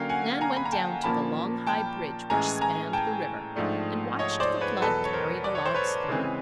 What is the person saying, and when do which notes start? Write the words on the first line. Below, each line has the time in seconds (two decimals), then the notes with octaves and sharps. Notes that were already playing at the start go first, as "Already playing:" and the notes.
Nan went down to the long, high bridge which spanned the river and watched the flood carry the logs through.
Already playing: D3 F#3 A#3 C#4 F5 G5
0.09 F#5 G#5
0.41 G#5 A#5
0.57 B5
0.65 A#5
0.72 G5 A5
1.04 A#2 F3 A#3 C#4 A5 B5
1.67 G5 A5
2.30 A2 E3 G#3 C#4 G#5 A#5
2.61 G#5 A#5
2.93 G5 A5
3.56 G#2 F3 A3 D4
4.19 C#5 D#5
4.40 C5 D5
4.61 B4 C#5
4.82 E2 B2 F#3 A4 B4
5.05 C#5
5.13 A#4 C5
5.44 D5
5.55 C#5
5.66 C5
5.74 B4 C#5
6.08 C#3 E3 G#3 C4